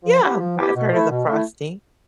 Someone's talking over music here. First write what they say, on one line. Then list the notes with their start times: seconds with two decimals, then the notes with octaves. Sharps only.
Yeah, I've heard of the frosty.
0.03 F3
0.21 B3 E4 G4
0.39 F3
0.57 B3 E4 G4
0.75 B2
0.93 A3 E4
1.09 B2
1.27 A3 E4